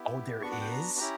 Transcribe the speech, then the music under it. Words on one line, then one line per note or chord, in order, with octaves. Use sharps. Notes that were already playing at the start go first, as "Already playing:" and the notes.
Oh, there is?
Already playing: B3 E4 G4
B3 D4 F#4 C#6
F#5
G5
A#5
C#4 E4 G4 A#5